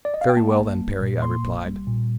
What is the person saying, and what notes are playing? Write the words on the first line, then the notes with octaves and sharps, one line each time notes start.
"Very well then, Perry." I replied.
D5
D#5
F5
G5
A#3 A5
A#1
G3
A#2
A#3 C6
A#1
G3
A#2